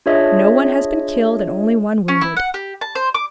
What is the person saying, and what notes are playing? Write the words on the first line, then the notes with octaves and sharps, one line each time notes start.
No one has been killed and only one wounded.
D4 F4 G#4 C#5 D#5 E5
C#4
E4
F#5
G4
A5
C5
D6